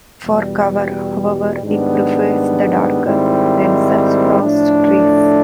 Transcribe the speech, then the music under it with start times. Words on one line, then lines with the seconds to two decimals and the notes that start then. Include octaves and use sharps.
For cover, however, it prefers the darker, denser spruce trees.
0.24 E2 B2 G3
1.63 G#2 D#3 G3 B3 D4
3.03 G#2 D#3 G3 C4 E4
4.41 A2 F3 A3 D4